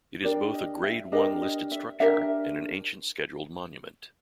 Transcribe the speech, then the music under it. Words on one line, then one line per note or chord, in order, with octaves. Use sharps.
It is both a Grade One listed structure and an ancient scheduled monument.
D4 G4 A#4 D5
D#5
E5
D4 G4 A#4 D#5
D#5
E5
D4 G4 A#4 E5